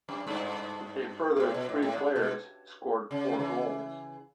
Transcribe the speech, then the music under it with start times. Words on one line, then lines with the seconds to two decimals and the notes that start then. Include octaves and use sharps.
A further three players scored four goals.
0.09 F#2
0.27 G2
1.37 B2
1.40 A2
1.54 B2
1.69 A2
1.82 A2
1.98 G2
2.16 B2
3.11 C#3
3.31 F#3
3.39 C#3 E3